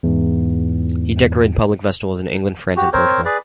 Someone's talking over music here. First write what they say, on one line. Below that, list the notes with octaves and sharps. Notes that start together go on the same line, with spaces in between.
He decorated public festivals in England, France, and Portugal.
E2 G#2
F#4 G4
C4 A#4 C5 C#5
G#4 B4 D5